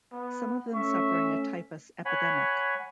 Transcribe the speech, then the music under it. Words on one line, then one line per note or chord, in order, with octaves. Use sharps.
Some of them suffering a typhus epidemic.
B3
A3 C#4 E5 C#6
C#5 F#5 G#5 B5